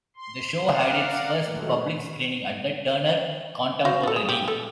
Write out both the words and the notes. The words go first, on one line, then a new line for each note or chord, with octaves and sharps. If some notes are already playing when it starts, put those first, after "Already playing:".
The show had its first public screening at the Turner Contemporary.
C6
A#4 D5 F5 F#5
A#2 D#3 F#3 G#3 A3
F#4 C5 F5
F4 A4
G#4
G4
A4